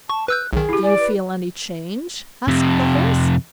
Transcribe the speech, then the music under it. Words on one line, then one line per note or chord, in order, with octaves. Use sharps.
'Do you feel any change?' asked the Horse.
A5 C#6
B4 E6 F#6 G6
B1 D#3 G#4
E4 G4
D5 G#5
B4
F2 C3